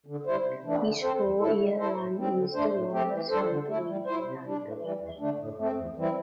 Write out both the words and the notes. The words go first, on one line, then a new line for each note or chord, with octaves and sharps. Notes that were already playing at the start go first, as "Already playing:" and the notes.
His four-year run is the longest run to remain uncollected.
D3
G3 E4 C5
C3
E3 A3 D4
D3
C4 A4 C5
E2
D3 A3 E4 A4
G3
E4 A4 C5
A2
G3 C4
D3
A3 D4 C5
A2
A3 C4 G4
E3
G3 D4 A4 C5
D3
A3 E4
G3
E4 C5
C3
G3 D4
A2
E3 G3
E2
D3 A3 D4
A2
A3 C4
E2
E3 G3 C4 E4